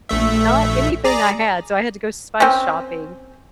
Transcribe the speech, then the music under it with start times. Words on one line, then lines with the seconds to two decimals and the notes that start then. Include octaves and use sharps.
not anything I had, so I had to go spice shopping,
0.09 A#1 A3 E5
1.05 G#4 D5 A#5
2.40 C4 C#4